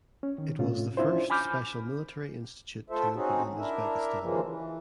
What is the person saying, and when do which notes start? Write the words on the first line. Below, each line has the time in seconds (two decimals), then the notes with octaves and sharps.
It was the first special military institute to open in Uzbekistan.
0.23 C#4
0.38 D#3
0.59 A2 C3 A3 C#4 F4
0.97 C#4 D4 E4 F4 C5
1.30 G#5 B5 D6 F6 G6
2.90 A3 F4 A4 C5 E5
3.14 C4 C#4 D#4 F#4 G#4
3.58 D4 E4 A#4 E5
4.21 D#2 C#3 E3 F3 G#3 A#3
4.42 E3